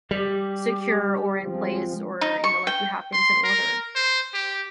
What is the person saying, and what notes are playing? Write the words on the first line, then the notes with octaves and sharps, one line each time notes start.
secure, or in place or, you know, like you have things in order.
G3 G4
F3 G#3 C4
D#4
C#6
G5
C6
A#4
C5
G4